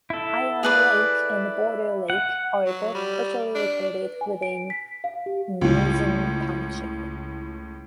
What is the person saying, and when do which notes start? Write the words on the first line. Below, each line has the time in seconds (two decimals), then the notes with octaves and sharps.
Island Lake and Boulder Lake are both partially located within Gnesen Township.
0.10 E4 A4
0.63 G#4 B4 D5
2.10 F#5
2.66 F#3
2.95 G3
3.55 D4
4.02 B4
4.21 G#5
4.42 D7
4.70 B6
5.04 F5
5.26 G4
5.61 C#2 A2